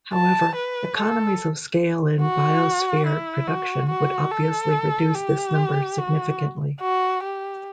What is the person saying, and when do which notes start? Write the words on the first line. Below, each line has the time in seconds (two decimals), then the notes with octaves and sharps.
However, economies of scale in biosphere production would obviously reduce this number significantly.
0.14 A5
0.55 B4
0.97 A4
2.22 F#4
3.06 E4
3.48 F#4
3.89 F#4
4.31 A4
5.15 G4
5.98 F#4
6.81 F#4
7.23 G4